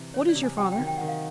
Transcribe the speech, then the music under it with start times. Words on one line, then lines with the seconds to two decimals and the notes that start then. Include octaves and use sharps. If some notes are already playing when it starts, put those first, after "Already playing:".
'What is your father?'
Already playing: C3 E3
0.14 E3 C#5
0.29 D5
0.36 C3
0.43 G#5
0.57 F#3 G5
0.72 G5
0.79 D#3
0.87 G5
0.97 D#3 F#5
1.08 F5